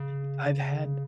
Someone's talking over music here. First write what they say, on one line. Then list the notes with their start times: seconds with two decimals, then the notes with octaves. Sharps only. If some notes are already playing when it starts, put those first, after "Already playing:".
Y I've had
Already playing: C#3